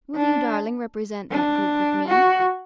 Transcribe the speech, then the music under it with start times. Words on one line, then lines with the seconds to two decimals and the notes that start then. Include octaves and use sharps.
"Will you, darling, represent that group with me?"
0.15 D4
1.30 D4
2.08 F#4